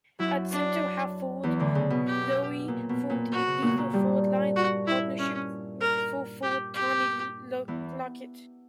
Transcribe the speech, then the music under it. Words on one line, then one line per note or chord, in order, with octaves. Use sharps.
At centre-half-forward, Loewe formed a lethal forward-line partnership with full-forward Tony Lockett.
F#2 F#3 E4
D4
E2 E3
D2 D3
C#3
B2
G4
A#2
B2
A#2
B2 F#4
C#3
A#2 A#3
A#2 A#3
G2 G3
F#4
E4
C#4
A#4
G4
G4
E2 E3